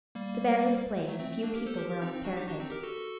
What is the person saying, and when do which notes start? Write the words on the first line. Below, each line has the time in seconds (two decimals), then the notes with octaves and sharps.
The band was playing, and a few people were on the parapet.
0.15 G3 A#3
1.08 F#3 A3
1.20 A3 C4
1.32 A3 C4
1.43 A#3 D4
1.54 G4 A#4
1.66 A4 C5
1.78 G4 A#4
1.90 G4 A#4
2.01 C4 D#4
2.14 C4 D#4
2.24 D4 F#4
2.37 D#4 G4
2.48 D4 F#4
2.59 C4 D#4
2.71 G4 A#4
2.83 F#4 A4